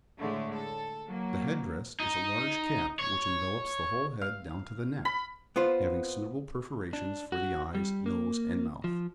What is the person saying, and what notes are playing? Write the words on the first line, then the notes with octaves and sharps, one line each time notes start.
The head dress is a large cap which envelops the whole head down to the neck, having suitable perforations for the eyes, nose, and mouth.
A2 D3 G#3 A3
A4
F#3 A#3
D#4
C#5
F5
B5
B3 F4 C5
D4
F#4
G3
A#3
F3